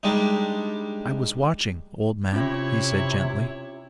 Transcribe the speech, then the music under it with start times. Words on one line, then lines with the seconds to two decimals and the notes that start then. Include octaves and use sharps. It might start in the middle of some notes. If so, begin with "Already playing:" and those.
"I was watching, old man," he said gently.
0.03 G3 G#3 D4 D#4
2.33 C3 C#4 E4 F4 C#5